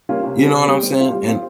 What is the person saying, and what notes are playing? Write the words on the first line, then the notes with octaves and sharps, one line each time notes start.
You know what I'm saying? And
G3 A#3 C#4 F4
C3
G3 C4
C3
G3 C4
G3
C4 F4
G3
C4 F4